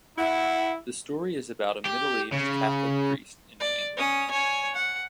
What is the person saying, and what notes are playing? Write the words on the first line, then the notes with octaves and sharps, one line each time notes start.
The story is about a middle-aged Catholic priest in New England.
E4 F#5
G4
C#3
D5
C#4 D#6
C#5 G#5
F#5